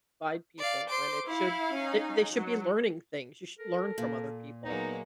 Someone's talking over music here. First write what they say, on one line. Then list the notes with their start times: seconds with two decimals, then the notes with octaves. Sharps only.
divide people when it should they they should be learning things. You should learn from other people,
0.59 D5 F5
0.89 C5 C6 D6
1.28 E4 F5
1.75 C#4 D#4
2.33 F#3
3.59 A4 A#4
3.98 A#2
4.65 F#3 G#3 A#3 B3 D#4